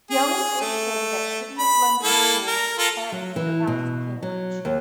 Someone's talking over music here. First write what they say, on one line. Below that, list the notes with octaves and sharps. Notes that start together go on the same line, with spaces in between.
Young was educated at City of London School and Peterhouse, Cambridge.
G#4
A3
B5
A#3 E4 A4
A#4
F4 A4 A#4
F#3
E3
B2
F#3
D#2